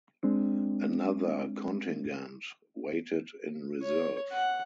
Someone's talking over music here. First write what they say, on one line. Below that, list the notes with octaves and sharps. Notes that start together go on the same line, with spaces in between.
Another contingent waited in reserve.
G#3 C4 D4
C#5
F#5